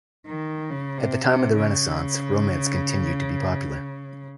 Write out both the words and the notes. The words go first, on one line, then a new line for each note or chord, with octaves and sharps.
At the time of the Renaissance romance continued to be popular.
D#3
C#3
C3
C3
C#3